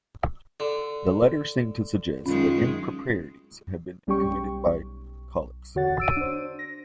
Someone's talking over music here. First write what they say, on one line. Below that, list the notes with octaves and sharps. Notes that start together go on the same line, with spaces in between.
The letter seemed to suggest that improprieties had been committed by Caillaux.
D3
F#2 D#3 G#3 C#4 F4
B1 G3 C#4 G4 G5 C#6
B1
E2 D3 F#4 C#5 F#5 A6
E6 D7 D#7
D4 C5
A#6